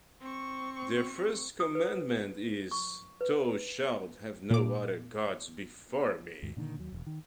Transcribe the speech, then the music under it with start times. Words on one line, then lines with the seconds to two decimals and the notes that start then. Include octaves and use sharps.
The first commandment is, Thou shalt have no other gods before me.
0.21 C4 C#6
1.60 D#6
1.75 B4
2.71 C#6
3.21 B4
4.50 A#2 D6
6.43 D#2 G#2
6.57 A#2 D3 D#3
6.78 D#2 F#3
6.93 E1
7.07 D#3